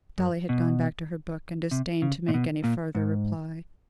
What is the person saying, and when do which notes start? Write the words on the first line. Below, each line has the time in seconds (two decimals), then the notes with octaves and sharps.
Dolly had gone back to her book, and disdained to make any farther reply.
0.18 F#2
0.49 B2
1.71 C3
2.02 C#3
2.28 A#2
2.34 B2
2.64 A#2
2.95 G#2